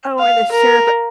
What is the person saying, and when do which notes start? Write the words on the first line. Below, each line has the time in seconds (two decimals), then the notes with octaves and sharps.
Oh, and the Sheriff
0.19 F5
0.51 A#4